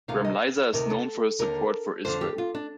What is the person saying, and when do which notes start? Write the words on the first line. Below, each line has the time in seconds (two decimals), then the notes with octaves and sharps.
Gremliza is known for his support for Israel.
0.08 D2 C3 D#3 F5
0.25 D#5
0.73 D2 C3 D#3 A#4
0.90 A4
1.39 D#2 D3 A#4
2.05 F2 D3 C5
2.21 G4
2.38 F4
2.55 D4